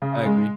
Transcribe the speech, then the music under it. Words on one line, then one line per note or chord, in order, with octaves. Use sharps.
I agree.
C#3
G#3